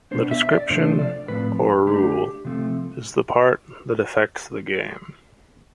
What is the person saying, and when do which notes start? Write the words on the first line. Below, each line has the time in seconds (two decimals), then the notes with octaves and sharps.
The description, or rule, is the part that affects the game.
0.11 B2 B3 D4 C5
0.31 E5
0.51 D5
0.70 C3 F3 A3 D4 C5
0.99 D5
1.28 A2 F3 C4 B4
1.87 D3 A3 D4 G4
2.45 C3 F3 A3 C4